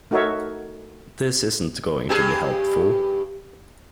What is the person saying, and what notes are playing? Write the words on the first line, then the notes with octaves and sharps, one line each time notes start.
This isn't going to be helpful.
A3 D#4 F#4 A#4 C#5 E5
G2 G4 G#4